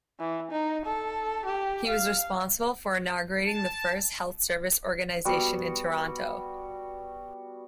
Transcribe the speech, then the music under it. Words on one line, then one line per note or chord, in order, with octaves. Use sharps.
He was responsible for inaugurating the first health service organization in Toronto.
E3
D#4
A4
G4
F5
A5
G3 B3 F#4